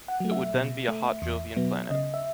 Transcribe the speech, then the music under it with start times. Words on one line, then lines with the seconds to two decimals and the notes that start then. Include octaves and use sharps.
It would then be a hot Jovian planet.
0.08 F#5
0.20 F#3 A3
0.31 E5
0.54 B2
0.88 A3
1.22 E2
1.56 B2 F#3 B3
1.90 C#3 D#5
2.14 E5